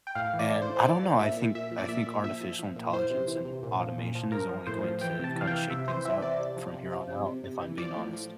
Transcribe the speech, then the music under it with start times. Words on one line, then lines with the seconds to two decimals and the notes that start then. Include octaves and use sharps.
and I don't know, I think I think artificial intelligence and automation is only going to kinda shake things up from here on out, if I'm being honest.
0.07 G5
0.15 A2 F5
0.34 E3
0.39 D5
0.51 A2
0.62 C5
0.69 A2
0.76 C5
0.85 F3 D5
1.03 F3
1.19 A#2 E5
1.37 A#2
1.55 A#2 E5
1.71 F3
1.78 D5
1.89 A#2 E5
2.07 A#2
2.24 F3 E5
2.41 F3
2.59 F3
2.76 A#2
2.93 E3 C5
3.10 C3
3.27 E3
3.45 C3
3.63 A#2
3.80 F3
3.98 A#2
4.15 F3
4.32 F3 A#4
4.49 F3
4.67 A2 C5
4.84 F3
5.01 E3 G5
5.19 C3
5.24 A5
5.36 E3
5.41 F5
5.47 G5
5.53 E3
5.70 C3 E5
5.88 E3 C5
6.05 E3 E5
6.22 C3 D5
6.40 C3
6.57 F3
6.74 C3
6.92 F3
7.10 C3
7.26 C3
7.44 C3
7.61 E3
7.78 F3 D5
7.96 A2
8.13 F3